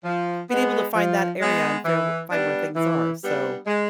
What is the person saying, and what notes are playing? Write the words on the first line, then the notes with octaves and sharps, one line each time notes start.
being able to find that area and fair were find where things are, so,
F3
G#3 B3
F3
G#3 B3
E3
G3 B3 D4
E3
G3 B3 D4
G#3